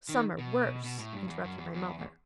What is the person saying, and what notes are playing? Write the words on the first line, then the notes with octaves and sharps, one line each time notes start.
'Some are worse,' interrupted my mother.
D#3
B2
B2
A2
G2
E2
F#2
E2
E2
E2